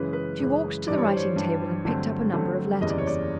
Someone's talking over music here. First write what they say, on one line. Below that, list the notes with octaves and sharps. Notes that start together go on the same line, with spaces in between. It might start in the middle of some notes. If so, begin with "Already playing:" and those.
She walked to the writing-table and picked up a number of letters.
Already playing: F#2 C#3 E3 G#3 B4
B4
F#2 C#3 E3 G#3
G2 E3 G3 D5
C#5
C5
C#5
G2 E3 G3
G2 D3 F#3 A3 C4
G2 D3 F#3 A3 C4
F#1 E2 C#3 E3 G3 D#5
D5
C#5
D5